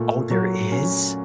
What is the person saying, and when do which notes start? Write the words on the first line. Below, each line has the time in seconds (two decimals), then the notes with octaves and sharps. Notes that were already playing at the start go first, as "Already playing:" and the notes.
Oh, there is?
Already playing: A#2 A3
0.31 F#3
0.72 C#4